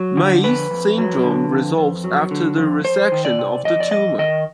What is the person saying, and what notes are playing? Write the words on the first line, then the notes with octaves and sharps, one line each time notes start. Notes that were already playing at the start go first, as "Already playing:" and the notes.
Meigs' syndrome resolves after the resection of the tumor.
Already playing: F#3
D3
F2 B4
F2
F#3
D3
F2
F2
F#3
D3
F2
F2 C5
D#3
D5
C3
F2 D#5
D5
F2 D#5
D#3 D#5